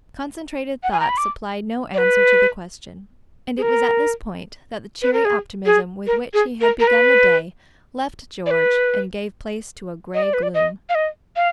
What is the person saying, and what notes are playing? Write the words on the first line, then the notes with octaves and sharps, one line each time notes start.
Concentrated thought supplied no answer to the question; and it was at this point that the cheery optimism with which he had begun the day left George and gave place to a grey gloom.
F#5
G#5
A#5
B5
D6
D5
B4
G#4
A#4
B4
A#4
G#4
G#4
A#4
G#4
A#4
A#4
B4
D5
B4
D#5
D5
B4
D5
D#5
F5
D#5
F5